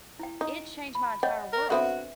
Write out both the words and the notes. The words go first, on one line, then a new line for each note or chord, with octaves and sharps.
it changed my entire world.
E4 G5
D#4
B5
C#5 D#5 F#5 G5
A#4
D3 B3 C4 F#4 B4 E5 G#5